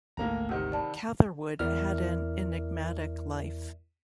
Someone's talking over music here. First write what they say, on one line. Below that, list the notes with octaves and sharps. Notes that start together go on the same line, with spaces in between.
Catherwood had an enigmatic life.
G#1 D2 A2 A#3 A#5
C3 D#3 F#5
D5 A5 B5
E2 E4 A#4 D5 E5 F6